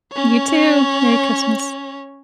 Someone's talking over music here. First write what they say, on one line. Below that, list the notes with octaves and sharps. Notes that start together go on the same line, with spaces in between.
You too, Merry Christmas.
C#4 C#5